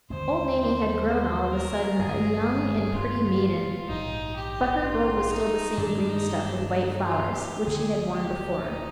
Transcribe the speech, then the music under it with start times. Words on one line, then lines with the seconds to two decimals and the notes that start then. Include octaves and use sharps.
Old Nanny had grown all of a sudden a young and pretty maiden; but her robe was still the same green stuff with white flowers, which she had worn before.
0.10 D#2 D3 G#3 C4 C5
1.05 C5
1.52 A#4
1.99 G1 G2 D#3 G#3 G#4
2.94 F4
3.88 A#1 G#2 D#3 D#4
4.36 G4
4.83 F4
5.31 D#4
5.77 G2 D#3 G3 A#3 D4
6.09 D#4
6.40 D4
6.72 D#4
7.04 F4
7.35 G4
7.67 D2 D3 F3 A#3 G#4
8.14 G4
8.61 D#4